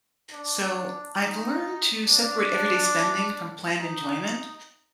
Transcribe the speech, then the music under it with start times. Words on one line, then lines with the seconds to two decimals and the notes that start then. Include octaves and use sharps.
So, I've learned to separate everyday spending from planned enjoyment.
0.32 D4
1.18 D#4
2.05 D4
3.78 D#4